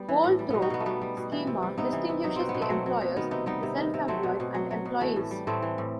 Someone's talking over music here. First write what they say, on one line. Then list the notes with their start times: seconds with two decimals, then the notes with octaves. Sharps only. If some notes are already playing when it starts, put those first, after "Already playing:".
Goldthorpe schema distinguishes the employers, the self-employed, and employees.
Already playing: G3 B3
0.08 E3
0.24 A2
0.39 G3
0.50 B2 B3
0.62 D#4 F#4
0.70 B2 B3
0.80 A3
0.86 G3 B3
1.02 G3
1.17 B2
1.32 E3
1.47 C3
1.63 G3
1.78 C3 B3 D#4
1.93 E3
2.09 C3
2.24 F#3 D#4
2.36 B2 C4
2.49 B3
2.55 B2
2.62 A3 C4
2.70 F#3
2.86 F#3
3.01 B2
3.16 D#3 B3
3.31 C3 B3 D#4
3.46 G3 B3 D#4
3.63 C3
3.78 D#3
3.94 C3
4.08 F#3 A3 C4
4.23 B2
4.40 B2
4.54 F#3
4.71 F#3
4.86 B2
5.01 E3 A3
5.16 A2
5.31 G3
5.47 A2 A3 C4
5.62 E3
5.78 A2